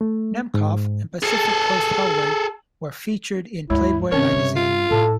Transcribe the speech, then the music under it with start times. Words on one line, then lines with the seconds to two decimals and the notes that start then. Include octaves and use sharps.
Nemcoff and Pacific Coast Hellway were featured in "Playboy Magazine".
0.01 A3
0.54 G#2
1.23 G#4 A4
3.70 D2 G2 G#3 E4 C#5
4.12 G2 C3 C4 C#4 A#4 C#5
4.32 G2 G3
4.56 F4
4.91 A2 A4